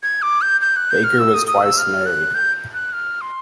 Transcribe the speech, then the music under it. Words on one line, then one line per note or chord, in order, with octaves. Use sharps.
Baker was twice married.
G#6
D6
G6
G6
F#6
G6
F6
E6
D#6
D#6
E6
F6
F#6
G6
F#6
F6
C6